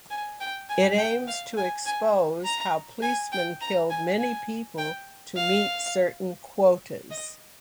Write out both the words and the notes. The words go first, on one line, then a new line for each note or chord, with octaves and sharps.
It aims to expose how policemen killed many people to meet certain quotas.
G#5
G5
G#5
G5
F5
G#5
G#5
A#5
G#5
G5
A#5
G#5
G#5
G5
F5
D#5